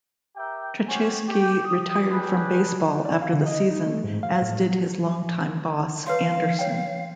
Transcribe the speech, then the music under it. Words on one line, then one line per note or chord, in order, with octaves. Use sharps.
Tracewski retired from baseball after the season, as did his long-time boss, Anderson.
G4 A#4 E5 G5
C#4 F#4 G4 C5 C#5 G#5
G4
D#6
C#4 D4 G4 G#4 B4
D5
F5
D3
D#5
D#4
A3
G#2
F5
A2
F#3
B4 C#5 F5 C6
C#5 G5